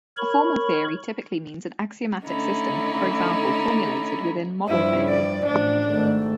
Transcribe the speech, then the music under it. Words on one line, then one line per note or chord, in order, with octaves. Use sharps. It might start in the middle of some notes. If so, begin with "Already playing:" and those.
A formal theory typically means an axiomatic system, for example formulated within model theory.
A#4 C#5 B5 C#6
D3 A3 C#4 D#4 E4
G2 F3 E4
D5
A1 F3 D4
G#1 A3